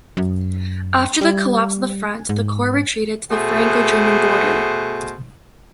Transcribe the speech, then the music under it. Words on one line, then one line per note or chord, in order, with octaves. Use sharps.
After the collapse of the front, the corps retreated to the Franco-German border.
F#2
G3
G#2
B2 A3 G#4 C5 F#5